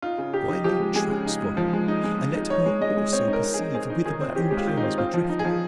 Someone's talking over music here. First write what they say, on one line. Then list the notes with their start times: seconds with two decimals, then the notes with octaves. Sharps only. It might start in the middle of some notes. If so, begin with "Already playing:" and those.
So I laid traps for her; I let her also perceive whither my own plans were drifting.
0.02 D#4 F4
0.18 C#3
0.33 D#4 G4
0.49 D#4
0.64 F3 G4
0.80 G#3
0.95 G#3 G#4
1.11 C#3
1.26 D#4
1.42 G#3
1.57 F3
1.73 G#3
1.88 D#4
2.04 G#3
2.19 G#3
2.35 D#4
2.50 D#4 C#5
2.66 G#3
2.81 G#3 D#5
2.97 G#3
3.13 C4 C#5
3.28 D#4
3.33 A#4
3.43 D#4
3.54 G#4
3.59 D#4
3.74 C4 G#4
3.90 D#4
4.05 D#3 G#4
4.21 C4
4.36 D#4 G4
4.51 G#3 G4
4.57 F4
4.67 D#3
4.77 D#4
4.83 C4
4.98 C4 F4
5.14 F3
5.29 D#4
5.39 G#4
5.45 F3